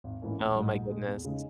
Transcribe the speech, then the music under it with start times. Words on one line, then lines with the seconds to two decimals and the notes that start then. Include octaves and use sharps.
Oh my goodness.
0.04 G#1
0.22 G#2 E3 A#3 C#4
0.39 A#1
0.56 G#2 G3
0.73 A#1
0.90 A#2 G#3
1.08 E2
1.25 C#3 G#3 D#4